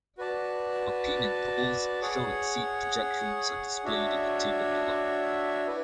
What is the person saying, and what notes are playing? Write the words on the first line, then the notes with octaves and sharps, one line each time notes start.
Opinion polls showing seat projections are displayed in the table below.
F#4 B4 D5 A5
G#4 C#5 F#5
D4 F#4 C#5 E5
E4 B4